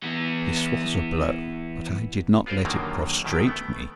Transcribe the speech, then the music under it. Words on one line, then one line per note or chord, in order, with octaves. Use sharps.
This was a blow: but I did not let it prostrate me.
E3 B3
B3 F4 G#4 A#4 C5 D5
F#2 D3 D#3 F#3 G3 A#3
B2 D#3 E4 G5
A3 B3